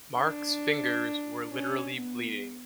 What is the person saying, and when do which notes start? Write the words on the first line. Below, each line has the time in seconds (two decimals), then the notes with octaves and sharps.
Mark's fingers were literally bleeding.
0.17 D4
1.52 C#4
1.97 B3